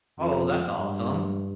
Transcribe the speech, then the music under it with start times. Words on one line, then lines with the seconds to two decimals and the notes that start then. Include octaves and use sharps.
Oh, well that's awesome.
0.19 F2
0.76 G2